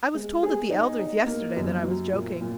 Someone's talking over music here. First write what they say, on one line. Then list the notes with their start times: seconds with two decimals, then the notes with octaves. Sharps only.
I was told at the elder's yesterday that I was joking.
0.14 G#3
0.43 G#4
0.71 D#4
0.99 D#4
1.27 A#3
1.56 F#2
1.84 F#3
2.12 A#2
2.41 A#2